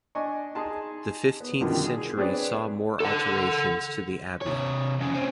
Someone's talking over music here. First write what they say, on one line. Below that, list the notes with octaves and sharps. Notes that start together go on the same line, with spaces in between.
The fifteenth century saw more alterations to the Abbey.
D4 D#5 G#5 C#6
D#4 G#4 G#5 A5 C6
B3
F#2 B2 D3 D#3 F3 G3
G#4
C4 D4 G#4 B4 C#5 D5
A4 F#5
C3 C#5
F2 C#3
C4 C#4